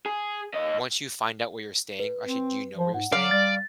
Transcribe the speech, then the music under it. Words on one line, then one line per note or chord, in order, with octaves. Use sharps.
once you find out where you're staying actually, do you know where you're staying?
G#4
D#2 D#5
B4
C4
F3
G#2 F#5
F#3 D5 F5
G3 A6